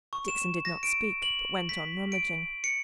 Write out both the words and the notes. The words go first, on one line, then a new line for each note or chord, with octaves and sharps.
Dixon did not speak, but went on rummaging.
C#6
E7
A#6
D7
F#7
B6
D7
C#7